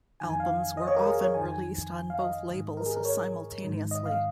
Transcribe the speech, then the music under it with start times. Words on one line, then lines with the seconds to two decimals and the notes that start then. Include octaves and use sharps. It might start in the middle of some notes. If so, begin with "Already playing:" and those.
Albums were often released on both labels simultaneously.
0.20 F2 D#3 G#5
0.30 G#5
0.40 F5
0.77 D#5
0.87 C#5
0.96 A#4
1.06 G#4
1.20 C#5
1.34 F2 D#3 G#5
1.49 G#5
2.10 F5
2.20 D#5
2.49 G#2 D#3
2.77 A#4
2.86 G#4
2.96 A#4
3.05 C#5
3.62 G#2 D#3
3.91 D#5
4.06 F5